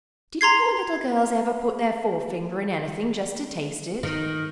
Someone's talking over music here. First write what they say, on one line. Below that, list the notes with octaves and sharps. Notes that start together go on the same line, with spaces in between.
"Didn't your little girls ever put their forefinger in anything just to taste it?"
A#5 C6 G#6 C7
D#3